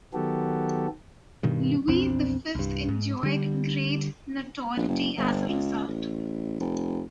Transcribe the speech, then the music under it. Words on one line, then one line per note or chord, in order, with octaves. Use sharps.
Louis the Fifth enjoyed great notoriety as a result.
D#3 F#3 B3 F#4 G4 A4
G2 B2 D#3
A#1 E2 C4 D4
C2 G2
G#2
D3 G3
A#1
F#1
G1
C#2
A1
F1